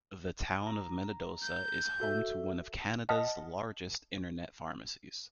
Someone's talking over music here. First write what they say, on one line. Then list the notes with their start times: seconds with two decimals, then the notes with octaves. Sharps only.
The town of Minnedosa is home to one of Canada's largest internet pharmacies.
0.67 A#5
1.42 G6
2.00 F#4 A4 E5
3.09 D#5 F#5 A5 D#6 F6 B6